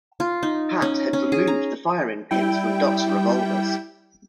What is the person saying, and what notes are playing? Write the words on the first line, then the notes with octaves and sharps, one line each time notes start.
Pat had removed the firing pins from Doc's revolvers.
F4
D#4
C#4
C#4
G#4
A#5
G3 E4 G5